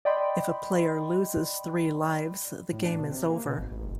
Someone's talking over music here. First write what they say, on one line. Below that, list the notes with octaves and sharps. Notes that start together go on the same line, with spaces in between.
If a player loses three lives the game is over.
D5 D#5 G5 B5 C6
A2
D4
B1
C3
A#3
B2
G#1
A1
F#1